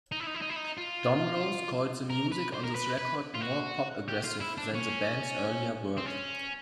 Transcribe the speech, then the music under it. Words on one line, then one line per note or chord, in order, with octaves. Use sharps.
Domrose called the music on this record more "pop-aggressive" than the band's earlier work.
D#4
E4
D#4
E4
D#4
E4
D#4
F4
A#4
B4
C5
A#4
B4
B4
F4
F#4
G4
F4
E4
D4
C#4
C4
C#4